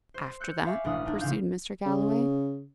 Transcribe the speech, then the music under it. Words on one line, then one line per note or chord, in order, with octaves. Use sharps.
"After that?" pursued Mr. Galloway.
C5
E6 F#6 G6 C#7
C#5 E5 F5 G#5 B5 D6
E1 A1 D4 B5 D#6 F6
D4 D#4
A1 C#3 C4 F5 G6
C#3